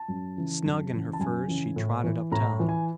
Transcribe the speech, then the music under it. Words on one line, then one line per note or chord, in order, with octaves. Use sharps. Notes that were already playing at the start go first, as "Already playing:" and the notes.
Snug in her furs she trotted up-town.
Already playing: A5
F#2
C#3 E3
F#2
C#3 E3
A5
F#2 G#5
C#3 E3
A2
E3
A2 A#5
E3
G#5